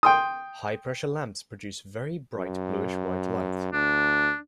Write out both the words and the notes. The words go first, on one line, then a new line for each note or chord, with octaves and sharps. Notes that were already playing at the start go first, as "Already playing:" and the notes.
High-pressure lamps produce very bright bluish white light.
G5 C6 D#6
F#2
D2 D4